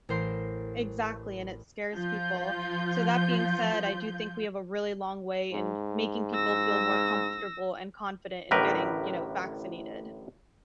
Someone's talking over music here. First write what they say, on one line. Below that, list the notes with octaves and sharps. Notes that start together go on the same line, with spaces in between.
exactly, and it scares people, so that being said, I do think we have a really long way in making people feel more comfortable and confident in getting, you know, vaccinated.
A1 A#4 C5 C6
F3 F4 G6
G#2
E6 A#6
A1 A2 D3 G4 A#4 B4